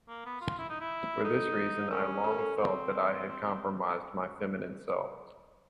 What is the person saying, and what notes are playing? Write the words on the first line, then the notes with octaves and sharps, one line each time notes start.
For this reason I long felt that I had compromised my feminine self.
A#3
B3
F4
E4
D#4
E4
D#4 A4
C#4 A#4
A4
A#4
A4
C4 G#4